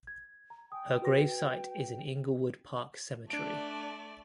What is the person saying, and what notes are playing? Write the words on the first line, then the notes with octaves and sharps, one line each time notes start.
Her gravesite is in Inglewood Park Cemetery.
G#6
A#5
G5 G#5 D#6
F#4 B4 A#6
A3 D4 D5 D7